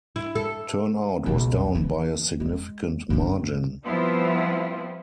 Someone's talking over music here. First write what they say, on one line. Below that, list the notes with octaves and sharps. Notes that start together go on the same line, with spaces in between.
Turnout was down by a significant margin.
E4
A4
C#2 B2
F2
E3
G#3
G2 D3
F3 G3 B3 C4 E4 F4